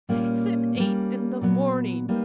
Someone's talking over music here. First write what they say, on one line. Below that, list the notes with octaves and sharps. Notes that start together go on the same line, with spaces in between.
Six and eight in the morning!
A#2 G3 A#3 C#4
G3 A#3 C#4
A#2 F#3 B3
G3 A#3 D#4 G4 B4